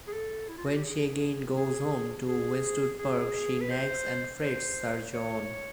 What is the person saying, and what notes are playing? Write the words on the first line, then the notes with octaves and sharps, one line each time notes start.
When she again goes home to Westwood Park she nags and frets Sir John.
G#4
A4
E4
F4
F#4
G4
G#4
G#4
G#4
G#4
B4
C5
C5
C#5